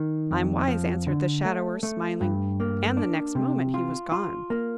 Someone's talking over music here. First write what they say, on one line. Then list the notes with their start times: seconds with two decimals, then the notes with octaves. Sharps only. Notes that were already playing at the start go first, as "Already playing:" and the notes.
"I'm wise," answered the shadower, smiling, and the next moment he was gone.
Already playing: D#3
0.31 F2
0.68 F3
1.07 D3
1.45 A3
1.83 A3
2.21 G2
2.60 A#3
2.97 D4
3.35 C3
3.74 F4
4.12 F4
4.50 A#3